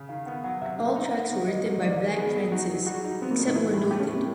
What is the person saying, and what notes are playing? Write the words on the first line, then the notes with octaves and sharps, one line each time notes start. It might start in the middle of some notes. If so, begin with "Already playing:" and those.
All tracks were written by Black Francis, except where noted.
Already playing: C#3
D#3 F5
B3 F#5
F#3 F#5
C3 E5
G#3 F5
D#4
B3 F#5
D#3
G3 D#5
D#3
A#3 D5
D#3
B3 G#4
F#3
D#4 F#4
F#3
G3 F#4
D#4
B3 C4
A#3
A#2 A3
D#4
E3 E4
A2 G4
A3 G4
C#4
A2 C4
A#3